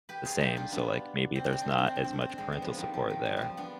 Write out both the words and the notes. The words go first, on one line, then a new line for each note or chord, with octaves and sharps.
the same, so, like, maybe there's not as much parental support there
G4 B4
F4 G#4
D#4 G4
D4 F4
B3 D4
C4
D4
C4
D4
C4
D4
C4
D4
C4
D4
C4
D4
G#3 C4
B3
F3 G#3
D#3 G3
F3
D#3
F3
F3 G3
B3 D4